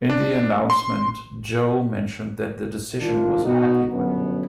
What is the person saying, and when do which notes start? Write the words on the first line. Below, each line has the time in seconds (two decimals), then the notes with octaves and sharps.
In the announcement Joe mentioned that the decision was a happy one.
0.10 D4
0.70 C6
3.01 C2 D#3 A#3 D4 F4
3.44 B2 D#4 F#4
3.91 G1 F#2 B2 B3